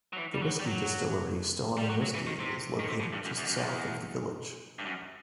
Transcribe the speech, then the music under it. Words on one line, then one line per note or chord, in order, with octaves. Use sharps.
The whisky distillery Stauning Whisky is located just south of the village.
F#3
E3
G3
F#3
G3
F#3
G3
F#3
F#3
E3
D#3
C3
D#3
C3
B2
G2
F#2
E2
F#2
E2
G2
F#2